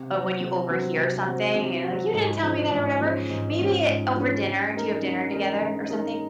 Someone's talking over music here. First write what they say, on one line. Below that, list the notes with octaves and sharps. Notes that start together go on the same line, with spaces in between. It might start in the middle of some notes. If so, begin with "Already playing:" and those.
uh, when you overhear something and like, "You didn't tell me that or whatever." Maybe it over dinner. Do you have dinner together or something?
Already playing: C3
F#3 C4 F#4
C3
F#3 C4 F#4
C3
F#3 C4 F#4
C3
F#3 C4 F#4
G#2
F3 G#3 C#4
G#2
F3 G#3 C#4
G#2
F3 G#3 C#4
G#2
F3 G#3 C#4
C#3
G#3 D#4 A#4
C#3
G#3 D#4 A#4
C#3
G#3 D#4 A#4